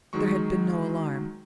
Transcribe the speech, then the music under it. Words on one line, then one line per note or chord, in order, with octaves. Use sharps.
There had been no alarm.
D#3 F#3 G#3 C#6